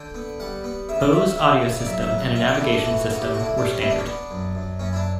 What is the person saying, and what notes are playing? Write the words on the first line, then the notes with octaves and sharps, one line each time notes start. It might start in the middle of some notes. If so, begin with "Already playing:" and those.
Bose audio system and a navigation system were standard.
Already playing: D3 G5
B3
G3 F#5
B3
C#3 E5
D5
C#3 E5
E5
C#3 E5
C#3
D5
F#3 E5
E5
C#3
F#5
C#4 E5
D5
D4
A3 E4
D4
E3 F#4
F#4
C#3 F#4
G4
A2 F#4
D4
E4
G3 D4
C#4
B3 E4
D4
C#4
B3 D4
F#2
F#2
F#2 C#4
E4
D4